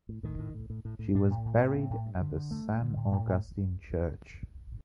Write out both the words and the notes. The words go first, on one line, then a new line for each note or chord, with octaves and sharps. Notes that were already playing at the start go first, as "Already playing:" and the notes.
She was buried at the San Agustín church.
A2
A2 D#3
A2
A2
A2
A2
A2
A2 D4
A2
A2
A2 C4
A2
A2
G2
D3
D3
G2 A3
G2
D3
A2
A2
A2